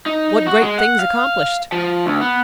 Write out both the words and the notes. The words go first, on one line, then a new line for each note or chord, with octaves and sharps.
What great things accomplished!
D#4
F#4
G#3
F#5
F5
F3
D2
B3